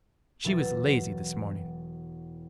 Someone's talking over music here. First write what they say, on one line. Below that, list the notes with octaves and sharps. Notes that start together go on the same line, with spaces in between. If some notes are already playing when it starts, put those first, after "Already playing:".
"She was lazy this morning!"
E1 E3 F#3 E5 A6